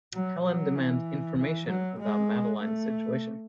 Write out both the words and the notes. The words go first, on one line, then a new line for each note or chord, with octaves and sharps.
Helen demands information about Madeline's situation.
F#3
F#3
E3
E3
F#3
G#3
A3